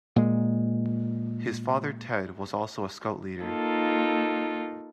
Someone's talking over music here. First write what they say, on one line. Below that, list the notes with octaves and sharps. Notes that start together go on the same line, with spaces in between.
His father Ted was also a scout leader.
A#2 G#3
A#3 D#4 F4 A4